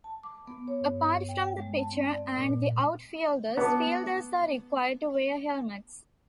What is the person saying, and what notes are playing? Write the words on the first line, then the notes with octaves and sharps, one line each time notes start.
Apart from the pitcher and the outfielders, fielders are required to wear helmets.
A5
D6
B3
C#5
G2
G5
G#3
A5
C4
D5
A#2
B3 A5 D6